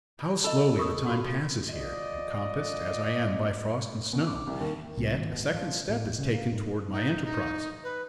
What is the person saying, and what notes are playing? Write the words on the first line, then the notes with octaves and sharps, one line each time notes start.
How slowly the time passes here, encompassed as I am by frost and snow! Yet a second step is taken towards my enterprise.
B2
A4 D#5 B5
A#4 C#6 D#6
F#4 B5
F3
F3 D5 D#5
B2
D6
C2
D#2
C2
G#1
B2
F3
A2
C#3
A#3
G#2
D#4
D#4
B4